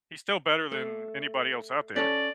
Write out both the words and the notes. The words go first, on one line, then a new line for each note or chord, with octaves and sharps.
He's still better than anybody else out there,
A3
C#4 A4 C#5 D5